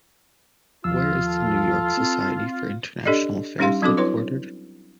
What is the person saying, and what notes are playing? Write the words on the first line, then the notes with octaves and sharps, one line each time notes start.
Where is the New York Society for International Affairs headquartered?
D#2 F3 F4 E6
A4
C4
D4 G4 A4 D5 D#5
G3 C#4 D#4 G4 F5 C6
F#3 C4 D4 F#4 A4 D6
E4 B4 C#5 C6